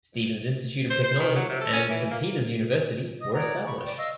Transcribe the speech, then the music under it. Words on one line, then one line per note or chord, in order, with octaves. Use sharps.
Stevens Institute of Technology and Saint Peter's University were established.
C5
C5
D#3
F#3
C3
A4
C#4
E3
A#3
D#5 D#6
C#5 D5 F#5 A#5
B5 C#6
D5 G5 C#6
D#5 F5 E6